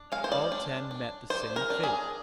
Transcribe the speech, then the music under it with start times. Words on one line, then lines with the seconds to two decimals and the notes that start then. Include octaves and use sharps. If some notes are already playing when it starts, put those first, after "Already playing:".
All ten met the same fate.
Already playing: D4
0.12 G#3 F5
0.24 C5
0.32 D5
0.52 D4
0.91 D4
1.30 D4 C5
1.56 A#4
1.70 D4
1.83 G#4